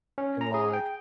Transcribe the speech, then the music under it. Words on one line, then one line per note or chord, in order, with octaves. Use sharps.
And like,
C#4
A#5
G#4
G5